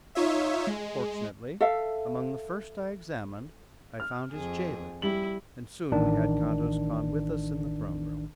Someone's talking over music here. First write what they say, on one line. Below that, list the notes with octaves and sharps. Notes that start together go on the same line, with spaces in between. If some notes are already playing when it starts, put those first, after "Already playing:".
Fortunately among the first I examined I found his jailer, and soon we had Kantos Kan with us in the throne room.
D#4 F4 C#5 E5
G#3
A4 E5 F5
F6
F2 G#4
G3 E4 F#7
A1 D#3 D4